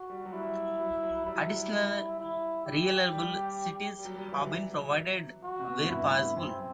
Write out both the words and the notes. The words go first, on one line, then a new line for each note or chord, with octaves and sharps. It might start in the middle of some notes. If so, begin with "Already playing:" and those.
Additional reliable cites have been provided where possible.
Already playing: F#4
G3
F#3
G3 E4
F#3
F#3
G3 E4
F#3
G3
E4
G4
G3
G3
F#3
G3
E3
F#3
E3
F#3
F#4
C3
B2
A2
G2 E4
F#2 C4